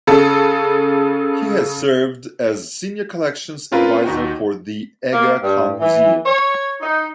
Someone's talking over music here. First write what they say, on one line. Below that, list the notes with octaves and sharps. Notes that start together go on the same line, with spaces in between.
He has served as Senior Collections Adviser for the Aga Khan Museum.
C#3 A4
C4 C#4 F4 A#4 B4
D#2 D#4 F#4 G5
A#3
G2
E3
C#5
D#4